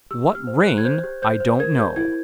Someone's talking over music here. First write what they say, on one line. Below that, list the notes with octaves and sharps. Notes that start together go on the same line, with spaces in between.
What rain, I don't know.
G4 E6
G4
F6
C5
F#6
G4
G#6
C5 G6
G4
C5 G6
C5
A#4 G#6
G4 G6
E4 G#6